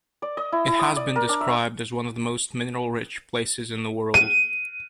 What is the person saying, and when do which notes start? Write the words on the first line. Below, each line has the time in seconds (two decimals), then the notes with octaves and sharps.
It has been described as one of the most mineral-rich places in the world.
0.22 D5
0.37 D#5
0.52 E4
0.67 E4
0.79 D#6
0.96 D5
1.16 A#4
1.29 D4
1.41 E5
4.14 D#7